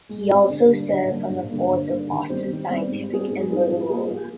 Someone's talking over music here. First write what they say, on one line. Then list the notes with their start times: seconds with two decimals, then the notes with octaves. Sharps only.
He also serves on the boards of Boston Scientific and Motorola.
0.09 G#3
0.30 C4 G4 C5
0.49 D3
0.69 G3 A#3 D4
0.89 D3
1.09 G3 A#3 D4
1.29 G2
1.50 D3 G3 A#3
1.69 G2
1.89 D3 G3 A#3
2.10 D#3
2.29 G3 C4 G4 C5
2.49 D#3
2.70 G3 C4 G4 C5
2.89 G#2
3.10 G3 C4 D#4 G#4
3.29 G#2
3.49 G3 C4 D#4 G#4
3.70 F3
3.90 A#3 F4 G#4
4.09 F3